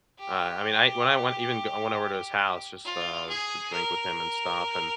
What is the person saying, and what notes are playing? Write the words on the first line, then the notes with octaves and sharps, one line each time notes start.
uh, I mean, I when I went even go I went over to his house, just, uh, to drink with him and stuff, and,
G4
F4
G#4
A#4